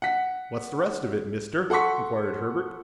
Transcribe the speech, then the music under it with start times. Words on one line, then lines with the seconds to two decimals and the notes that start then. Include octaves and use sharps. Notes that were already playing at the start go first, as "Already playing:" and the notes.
"What's the rest of it, Mister?" inquired Herbert.
0.02 F#5 B6
1.70 A4 F#5 C6 C#6 B6